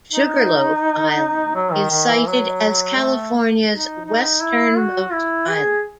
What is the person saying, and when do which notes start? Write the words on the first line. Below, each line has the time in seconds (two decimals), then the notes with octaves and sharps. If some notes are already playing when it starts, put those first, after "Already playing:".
Sugarloaf Island is cited as California's westernmost island.
0.12 D#4
1.55 F#3
1.73 D#3
1.91 D#3
2.09 E3
2.27 F#3
2.98 A3
3.69 D#4
4.05 D#4
4.41 E4
4.77 F#4
5.13 E4
5.49 G#4